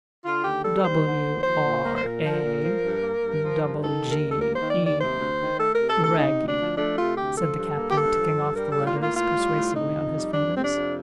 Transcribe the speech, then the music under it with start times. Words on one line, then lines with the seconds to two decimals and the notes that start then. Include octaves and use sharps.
"W, R, A, double G, E--Wragge," said the captain, ticking off the letters persuasively on his fingers.
0.25 D3 F4
0.44 D#2 G4
0.64 G3 A4
0.84 D#2 C5
1.05 D3
1.24 D#2
1.43 F3 C5
1.63 A#2
1.83 A#3
1.96 C5
2.02 A#2 A#4
2.23 F3
2.43 A#2
2.62 F3
2.83 G2
3.01 A#3
3.22 G2
3.42 F3
3.61 G2
3.81 D#3 A4
4.01 D#2
4.11 A#4
4.21 G3
4.32 A4
4.40 A#3 A#4
4.56 D#3 C5
4.70 D5
4.80 D#2
4.85 D5
4.99 C3 C5
5.20 D2
5.39 D#3
5.59 A3 A4
5.75 C3 A#4
5.89 A4
5.99 D2 A4
6.19 C3 D#4
6.38 D2
6.48 D4
6.59 F3
6.78 A3 D4
6.98 C3 F4
7.17 D2 G4
7.37 F3 A4
7.57 G2
7.77 A#3
7.90 G4
7.97 G2 A4
8.17 F3
8.37 G2
8.56 G3 A#4
8.71 A2 A4
8.86 F4
8.96 A#3
9.01 F4
9.15 A2 F4
9.36 G3
9.55 A2
9.75 C3 D#4
9.95 F2
10.14 G3
10.34 F2 D4
10.54 C3 C4
10.64 D4
10.74 F2